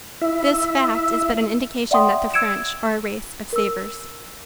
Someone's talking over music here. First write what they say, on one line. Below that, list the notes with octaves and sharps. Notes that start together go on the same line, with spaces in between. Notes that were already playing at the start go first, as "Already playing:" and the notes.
This fact is but an indication that the French are a race of savers.
E4 E5
D5 E5 F#5 G5 C6 D#6
E6 G#6 C#7 D7 E7
A#4 E6